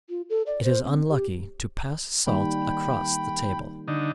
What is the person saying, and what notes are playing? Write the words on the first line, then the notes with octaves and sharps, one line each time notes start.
It is unlucky to pass salt across the table.
F4
A4
D5
C5
C4
G4
D#3 G3 A#3 G5 B5
D3 D#4